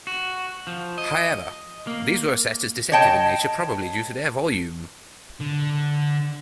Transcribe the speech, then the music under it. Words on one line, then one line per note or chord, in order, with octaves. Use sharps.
However, these were assessed as deceptive in nature probably due to their volume.
F#4
F3
D#5
A#3
C#5 D#5 G5 A5
D3